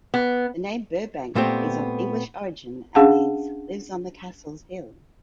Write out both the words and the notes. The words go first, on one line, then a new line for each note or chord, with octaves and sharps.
The name Burbank is of English origin and means "lives on the castle's hill".
B3
A#2 A3 B3 C4 G4
C#4 D4 G#4 F5 F#5 A5